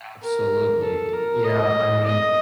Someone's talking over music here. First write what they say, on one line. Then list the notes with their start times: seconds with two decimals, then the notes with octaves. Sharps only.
Absolutely, y yeah, I mean,
0.23 A#4
0.82 A4
1.13 A#4
1.44 D#5
2.04 D#5